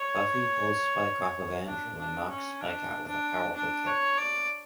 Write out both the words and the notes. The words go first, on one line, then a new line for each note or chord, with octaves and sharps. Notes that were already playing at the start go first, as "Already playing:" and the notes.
Buffy pulls Spike off of Andrew and knocks Spike out with a powerful kick.
Already playing: C#5
D4
D4
C#4
D4
D4
D4
C#5
D5